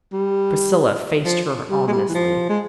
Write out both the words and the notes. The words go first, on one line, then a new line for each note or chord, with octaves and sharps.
Priscilla faced her ominously.
G3
F3
G3
G#3
G3
E3
F3
G#3